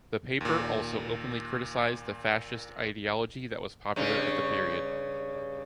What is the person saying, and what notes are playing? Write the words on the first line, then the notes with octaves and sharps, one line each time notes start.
The paper also openly criticised the fascist ideology that was popular at the period.
D#2 A#2
G2 C#3 C#4